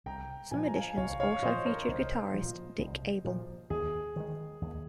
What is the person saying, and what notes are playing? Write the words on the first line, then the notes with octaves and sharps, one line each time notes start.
Some editions also featured guitarist Dick Abell.
C2 G5 A#5
A#2 F3 G#5
A#5
F5 G#5
C2 C#5 F5
C#5 F5
A#2 F3 C5 D#5
A#4 C#5
C2 C5 D#5
A#2 F3
C2
A#2 F3
D#2 G#4
D#3 G#3
D#2